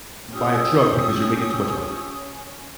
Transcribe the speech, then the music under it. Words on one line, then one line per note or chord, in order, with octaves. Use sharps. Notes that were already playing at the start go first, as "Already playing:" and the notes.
buy a truck because you're making too much money."
C#4 F4 G4 D#6 E6